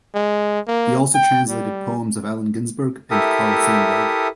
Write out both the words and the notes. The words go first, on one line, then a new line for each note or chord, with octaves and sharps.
He also translated poems of Allen Ginsberg and Carl Sandburg.
G#3
A#3
G5
G3
E4 G4 A4 A#4 E5 D#6